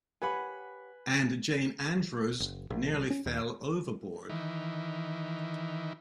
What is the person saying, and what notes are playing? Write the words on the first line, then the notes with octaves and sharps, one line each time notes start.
And Jane Andrews nearly fell overboard.
G4 B4 C#5 F#5 G#5 B5
F#1
A#1
C2
C#4
D#2
D#3 E3